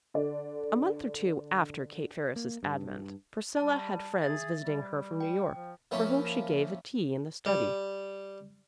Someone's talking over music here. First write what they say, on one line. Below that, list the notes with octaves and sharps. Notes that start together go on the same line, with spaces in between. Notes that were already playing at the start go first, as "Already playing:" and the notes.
A month or two after Kate Ferris's advent, Priscilla had friends visiting her from New York, for whom she gave a tea in the study.
D3 D5
A#3
G2
G3 A5
G#4 E5 A6
G3
G5
F3
F3 A#3 C#4 E4
G3